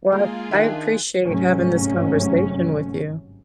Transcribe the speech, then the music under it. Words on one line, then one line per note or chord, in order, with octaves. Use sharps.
Well, I I appreciate having this conversation with you.
G#3 A#3 F4 G#4
D#3 D4 E5 G5 F#6
G1 G#2 C3 F#3 A3 C#4